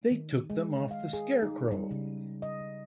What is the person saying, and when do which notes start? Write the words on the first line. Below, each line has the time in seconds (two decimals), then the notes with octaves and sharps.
They took them off the scarecrow.
0.11 D#3
0.50 G#3
0.91 F5
1.13 G#4
1.42 D#4
1.72 G3
1.91 C#3
2.42 D#5